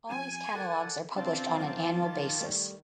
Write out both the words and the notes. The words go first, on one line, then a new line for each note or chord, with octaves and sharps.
All these catalogues are published on an annual basis.
F3 C4 G#5 A5
A4 A#4 D5 F#5 A5
E2 C#3 C4 D4 F4 A5 D6
F3 F#3 A#3
D#3
G3 A3